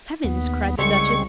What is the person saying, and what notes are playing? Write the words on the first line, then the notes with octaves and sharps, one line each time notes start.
"Heavens!" cried the Duchess.
D#2 B3
C2 C#3 G#3 C4 C#6